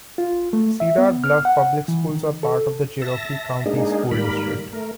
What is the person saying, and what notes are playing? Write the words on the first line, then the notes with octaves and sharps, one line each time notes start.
Cedar Bluff Public Schools are part of the Cherokee County School District.
F4
A3
E5
B3
F6
F#5
E3
D#3
A4
E5 A5 A#6
G#3 A#3 D4 D#4 G#4
G#2 D#3 G3 A#3 A#4 B5
A3 A#4